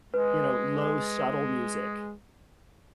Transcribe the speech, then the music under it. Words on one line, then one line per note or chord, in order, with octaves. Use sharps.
you know, low subtle music.
G#3 B4